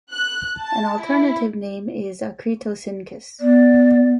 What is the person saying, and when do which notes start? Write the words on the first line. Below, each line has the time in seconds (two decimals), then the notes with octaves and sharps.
An alternative name is Acritoscincus.
0.11 F#6
0.59 A5
0.99 E4
3.40 B3 D5